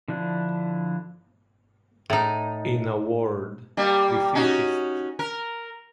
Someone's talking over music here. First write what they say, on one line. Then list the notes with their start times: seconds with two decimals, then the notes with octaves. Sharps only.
In a word, defeatist.
0.08 D3 F3 D4 E4
2.10 A2 D#4
3.77 G3 A#3
4.35 C#4 D#4 F#4
5.19 A#4